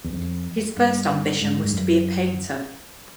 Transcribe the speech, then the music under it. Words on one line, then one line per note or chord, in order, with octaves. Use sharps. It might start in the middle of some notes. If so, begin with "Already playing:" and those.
His first ambition was to be a painter.
E2
F2
G2
G#2
G2
F#2